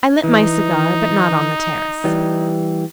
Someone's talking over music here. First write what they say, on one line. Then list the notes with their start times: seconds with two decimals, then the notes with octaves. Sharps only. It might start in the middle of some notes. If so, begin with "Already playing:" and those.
I lit my cigar, but not on the terrace.
0.24 E3 D#4
2.04 E3 G3